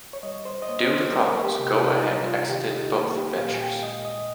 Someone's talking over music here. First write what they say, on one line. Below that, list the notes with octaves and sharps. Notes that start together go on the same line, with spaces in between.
Due to problems, Go-Ahead exited both ventures.
C#5
G3 D#5
C5
D#5
A#3 C#5
C5
G#3 A#4
G4
C3
D#4
G3 D#4
F4
D#3 G4
D#4
A#3 F4
G4
A#2 F5
G#5
G5
G#3 D#5
D#5